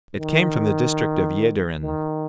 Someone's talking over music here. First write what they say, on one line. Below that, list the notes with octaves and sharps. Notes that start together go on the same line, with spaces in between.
It came from the district of Jaederen.
D#3
D#3